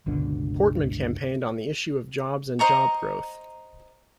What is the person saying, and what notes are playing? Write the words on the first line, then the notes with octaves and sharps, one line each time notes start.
Portman campaigned on the issue of jobs and job growth.
G1 C#2 B2 D3
C5 D#5 A#5 C#6